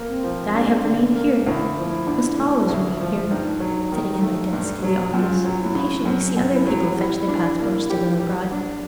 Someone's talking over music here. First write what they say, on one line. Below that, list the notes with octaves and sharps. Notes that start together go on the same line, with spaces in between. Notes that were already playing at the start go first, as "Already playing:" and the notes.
But I have remained here--must always remain here, sitting at my desk in the office, and patiently see other people fetch their passports to go abroad.
Already playing: A#3
C4
F3
D4
D3
A#3
D2 E4
F3
D3
A3
D2
F3
G2 D#4
F#3
D#3
A3
G2
F#3
F#2 F4
F#3
E4
C#3
F#2
F#2
E4
F#3
G3 E4
D4
A#3
G4
G3
D4